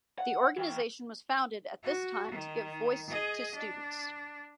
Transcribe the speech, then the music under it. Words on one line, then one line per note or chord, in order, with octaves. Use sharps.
The organisation was founded at this time to give voice to students.
F#5
E3 G5
F#4
D#3
G#4 D#5
D4